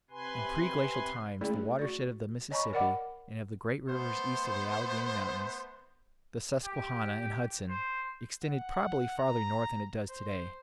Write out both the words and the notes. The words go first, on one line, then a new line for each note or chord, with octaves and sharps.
In preglacial times the watershed of the Mississippi and of the great rivers east of the Alleghany Mountains, the Susquehanna and Hudson, extended probably farther north than it does to-day.
C3 B4 G#5 C6
G#3 A3 C#4 E4 G#4 D5
F#4 D5
C#5 D#5 G#5 A#5 B5 C#6
A#4 D5 D#5 F#5 B5 D6
A3 B3 C5
G4
C5
F#5
A#5
C5